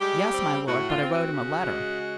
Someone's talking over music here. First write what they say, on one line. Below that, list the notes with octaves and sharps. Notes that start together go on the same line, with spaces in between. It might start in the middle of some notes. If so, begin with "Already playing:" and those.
"Yes, my lord; but I wrote him a letter."
G3 G#3 G4
C4
A2 F#4
F4
C4
F#4
C#3
G#3
C#3